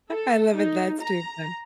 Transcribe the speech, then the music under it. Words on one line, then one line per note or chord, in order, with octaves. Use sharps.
I love it that's too funny.
A4
D#4
A#5